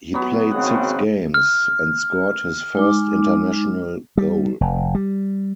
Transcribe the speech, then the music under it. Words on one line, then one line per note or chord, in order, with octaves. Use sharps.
He played six games, and scored his first international goal.
F#3 B3
G#1 C#3 C4 F#5
F6
G#3 D#4 D6
G3
F1
G3